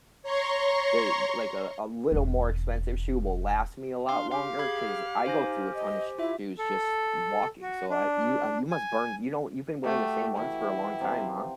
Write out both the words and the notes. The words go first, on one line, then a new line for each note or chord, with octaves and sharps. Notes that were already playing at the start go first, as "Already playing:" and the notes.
the like a a little more expensive shoe will last me a lot longer 'cause I go through a ton of shoes just walking, so I you, uh, you must burn you know, you've been wearing the same ones for a long time, huh?
C#5 A#5 C6 C#6
E1 C#4
D4 F5 C6
G4 F5
G#4 B5 G#6 C7
D#4 C5 G#5 A#6
D#5
E4 F4 E5
A4
F#4
D4
G#5
A3 F#4 G4
E3 E4
C3 F5